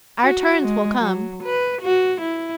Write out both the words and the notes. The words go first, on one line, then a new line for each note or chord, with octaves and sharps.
Our turns will come.
F#4
G#3
F#3
B4
F#4
E4